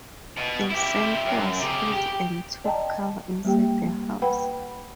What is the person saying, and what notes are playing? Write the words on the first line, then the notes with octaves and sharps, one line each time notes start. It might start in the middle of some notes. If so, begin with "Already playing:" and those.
The sentry was hit and took cover inside the house.
B2
E4 G4
F#2
C#3 G4
G4
D5 D#5 G5 A5 A#5
G3 A#3 G4 G5
B4 F#5 G5 B5